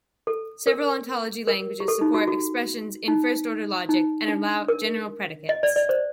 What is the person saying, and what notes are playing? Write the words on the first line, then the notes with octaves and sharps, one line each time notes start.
Several ontology languages support expressions in first-order logic and allow general predicates.
A4
A#4
A#4
G4
A4
D#4
F#4
F#4
D#4
D#4
D4
A#4
D#5
D5
D5
C5